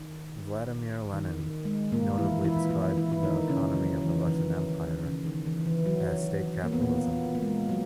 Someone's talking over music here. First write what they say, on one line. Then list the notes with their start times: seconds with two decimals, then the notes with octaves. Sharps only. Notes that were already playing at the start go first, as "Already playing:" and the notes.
Vladimir Lenin notably described the economy of the Russian Empire as state capitalism.
Already playing: D#3
1.14 D#3
1.40 D#3
1.65 G#3
1.92 A#2 A#3
2.18 E3 E4
2.44 E3 E4
2.71 E3 E4
2.97 E3 E4
3.12 E4
3.23 D#3 D#4
3.49 C#3 C#4
3.75 F#3
4.01 E3
4.21 E3
4.27 D#3
5.06 C#3
5.26 D#3
5.46 E3
5.66 E3
5.86 F#3
6.64 A#3
6.73 B3
6.81 A#2 A#3
7.35 A#3
7.42 G#3
7.69 F#3